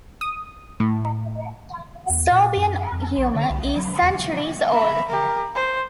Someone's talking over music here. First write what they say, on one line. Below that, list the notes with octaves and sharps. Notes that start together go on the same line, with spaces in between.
Serbian humour is centuries old.
D#6
A2
E2
A#2
F#2
F2
A#1
D3
C2
B1
F#3
E2
E5 B5
G4 A#4
C5